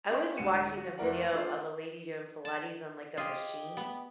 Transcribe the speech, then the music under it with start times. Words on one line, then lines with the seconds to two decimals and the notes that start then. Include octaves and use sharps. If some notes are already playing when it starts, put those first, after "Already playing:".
I was watching a video of a lady doing Pilates on, like, a machine
0.10 C#4 G4 D#5 G5 C6 C#6
0.36 C2 G#2 D3 C#7 D#7 E7
0.77 F#4
0.98 F1 A#3 E4 A#4 D5 F#5
1.33 D4 F4 A4 C5
2.45 A5
3.17 F4 G4 G#4 D#5
3.77 B3